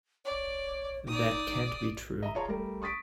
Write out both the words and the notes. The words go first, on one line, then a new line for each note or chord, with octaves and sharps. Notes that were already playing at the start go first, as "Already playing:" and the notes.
That can't be true.
C#5 D5
D#4 D5 D#6
D#5 E5 A#5
F4 G#4 C#5 D5 A5 A#5
G3 A3 A#4
C#6 D#6 A6 B6 D7